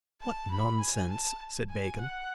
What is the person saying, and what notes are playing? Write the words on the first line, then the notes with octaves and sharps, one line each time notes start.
"What nonsense," said Bacon.
A5
B5
G#5
A5
G#5
F#5